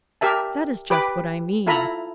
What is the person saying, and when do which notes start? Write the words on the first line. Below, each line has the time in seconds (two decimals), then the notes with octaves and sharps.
"That is just what I mean."
0.21 G4 A#4 E5 A5
0.90 G4 B4 D6
1.67 E4 F4 A4 E5 A#5 B5